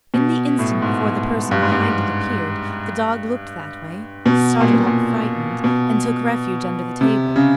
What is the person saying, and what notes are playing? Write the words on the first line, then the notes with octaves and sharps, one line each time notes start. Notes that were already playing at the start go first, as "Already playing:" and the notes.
In the instant before the person behind it appeared, the dog looked that way--started up, frightened--and took refuge under the table.
B2
A2
G#2
G2
G#2
G2
B2
A#2
B2
A#2
B2
C3
C#3